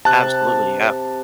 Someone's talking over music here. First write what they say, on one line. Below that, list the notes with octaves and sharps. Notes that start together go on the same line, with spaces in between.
Absolutely, yeah.
C3 A5 F#6